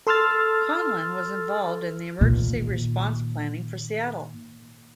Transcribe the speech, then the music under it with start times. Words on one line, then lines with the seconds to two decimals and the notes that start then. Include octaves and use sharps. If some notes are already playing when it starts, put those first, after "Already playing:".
Conlin was involved in emergency response planning for Seattle.
0.07 A4 C6 E6 F6 A6
2.21 A#2 D#3